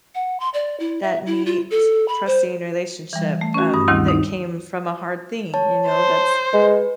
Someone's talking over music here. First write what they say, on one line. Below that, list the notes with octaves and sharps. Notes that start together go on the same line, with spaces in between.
that neat trusting relationship, um, that came from a hard thing, you know, that's
F#5
C6
D5
E4
E5
E4
F4
A4
B5
C5
E3 G3
A3
C#4 F#4
G2 D#6
D2 D#3 G3 C4 E4
D#4
C#5 A5
C5
G#3 B4